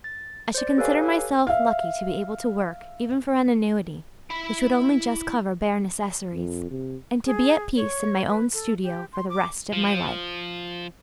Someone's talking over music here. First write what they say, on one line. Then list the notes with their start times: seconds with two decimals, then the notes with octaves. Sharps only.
I should consider myself lucky to be able to work even for an annuity which would only just cover bare necessaries, and to be at peace in my own studio for the rest of my life.
0.04 A6
0.55 C5 D5
0.77 G4 A4 B4 C#5 F5 G#5
1.47 E5 F5
4.30 E4 B5
6.33 F2
6.70 C3
7.26 G#4
7.76 C#5
8.28 B4
8.53 A4
8.83 G4
9.13 C6
9.29 D6
9.73 F3